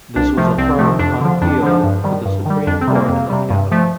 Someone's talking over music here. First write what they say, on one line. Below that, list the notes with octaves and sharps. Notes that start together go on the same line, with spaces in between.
This was affirmed on appeal to the Supreme Court of Canada.
C2 D4
C3 F3 A3
C2 C4
C3 F3 A3
F2 D4
D3 F3
F2 D4
D3 F3
G2
D#3 G3
G2
D#3 G3
F2 D4
C4
C3 G3
A#3
F2
C3 G3
G2
F3 A3